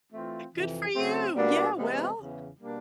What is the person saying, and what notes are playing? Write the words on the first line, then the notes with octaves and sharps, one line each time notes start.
Good for you. Yeah, well.
E3 A3 C4 F4
F2 C3 E3
C#3 F#3 A3 C4
B2 G3 A#3 D4
C3 E3 G#3 B3
E2 C#3 E3
B2 G3 A#3 D4